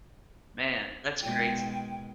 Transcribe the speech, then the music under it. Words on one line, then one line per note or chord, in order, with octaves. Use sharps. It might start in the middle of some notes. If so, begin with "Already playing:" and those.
Man, that's crazy.
B2 D#3 G#3 G5